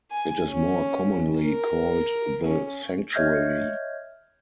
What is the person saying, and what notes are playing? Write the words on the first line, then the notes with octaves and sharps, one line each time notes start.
It is more commonly called the sanctuary.
G#5
C#4
A#4
C#4
C#5 D#5 E5 F6 G6 G#6